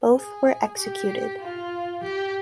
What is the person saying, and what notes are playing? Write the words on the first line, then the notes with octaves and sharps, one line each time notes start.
Both were executed.
G#4
G4
F4
G4